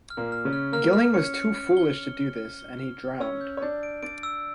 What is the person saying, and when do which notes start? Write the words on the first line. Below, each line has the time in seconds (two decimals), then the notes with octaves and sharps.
Gilling was too foolish to do this and he drowned.
0.10 F6
0.17 A#2 A#3
0.32 F6
0.45 C#3 C#4
0.53 F6
0.72 A#3 A#4 F6
0.93 F6
1.14 C#4 C#5 C#7
1.35 C#7
1.55 F6
1.77 G7
1.97 F6
2.18 F6
2.37 F6
2.59 G7
2.79 F6
3.00 F6
3.20 C#4 C#5 E6
3.41 G6
3.57 C#5
3.62 D4 D5 G6
3.83 D7
4.03 D4 D5 D7
4.23 E6